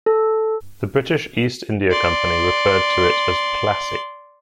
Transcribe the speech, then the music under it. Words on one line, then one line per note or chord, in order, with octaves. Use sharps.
The British East India Company referred to it as "Plassey".
A4
D5 C6